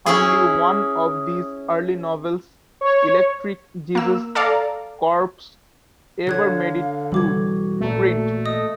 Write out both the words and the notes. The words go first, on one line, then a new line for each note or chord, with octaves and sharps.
Only one of these early novels, "Electric Jesus Corpse", ever made it to print.
C#4 E4 G#4 D#6
C#5
A#3 E6
A4 D5 F5 A#5
D3 C#5 F#6 G#6
F5
B1 E3 G3 F#4 A4 D6 G#6
A1 A#2 A3
D#5 D#6